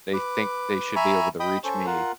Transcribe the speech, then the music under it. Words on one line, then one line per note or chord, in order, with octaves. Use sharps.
they think they should be able to reach me
B4 D6
E5 G#5 A#5 B5 C#6
D#5 G5 B5 D#6
C#4 A4 C5 C#6
F4 A#4 F#5